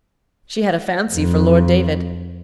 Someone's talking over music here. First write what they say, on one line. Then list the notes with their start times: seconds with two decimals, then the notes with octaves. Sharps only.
She had a fancy for Lord David.
1.12 F2